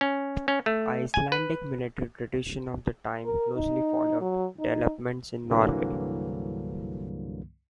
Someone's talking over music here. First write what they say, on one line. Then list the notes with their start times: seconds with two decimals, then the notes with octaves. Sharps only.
Icelandic military tradition of the time closely followed developments in Norway.
0.01 C#4
0.48 C#4
0.66 A3
1.14 G#5
1.32 B4
3.25 A#4
3.56 D#4
4.21 F#3
4.59 D#4
5.49 C2 G2 D3 E3 F#3 A#3